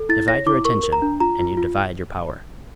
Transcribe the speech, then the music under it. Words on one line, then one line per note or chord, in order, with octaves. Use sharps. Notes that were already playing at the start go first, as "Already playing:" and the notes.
Divide your attention and you divide your power.
Already playing: A4
E4 A6
C#5 A#6
E4 D6
A#4 C#6
A#4
A#5
D4
F4 A#5
F4
F4